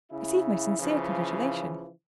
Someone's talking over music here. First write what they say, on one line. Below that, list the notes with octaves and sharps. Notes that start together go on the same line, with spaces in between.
"Receive my sincere congratulation."
C#3 E4
C#3 E3 F3